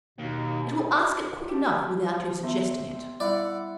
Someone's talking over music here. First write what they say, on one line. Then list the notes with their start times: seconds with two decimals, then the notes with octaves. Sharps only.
It will ask it quick enough without your suggesting it.
0.18 D#2 B2
1.49 F#4 G4 A5
2.43 B3 C5 E5
3.20 G3 E4 D5 F#5